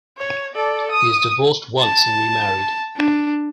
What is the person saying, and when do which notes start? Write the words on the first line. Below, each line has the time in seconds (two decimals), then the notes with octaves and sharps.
He has divorced once and remarried.
0.17 C#5
0.55 A4 D5
0.92 D#6
1.81 A5
2.98 D4